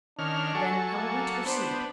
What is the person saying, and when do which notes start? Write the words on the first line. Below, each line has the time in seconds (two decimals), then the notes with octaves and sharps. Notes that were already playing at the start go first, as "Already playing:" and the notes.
"Then how are we to proceed?"
0.19 D#3 C#4 D4 F6
0.55 F#3 A4 G#5 C#6
0.94 A#3
1.45 B3 D4 C5